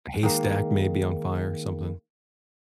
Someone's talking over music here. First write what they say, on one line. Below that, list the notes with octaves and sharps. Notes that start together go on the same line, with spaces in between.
A haystack may be on fire or something.
D#3 G#3 A#3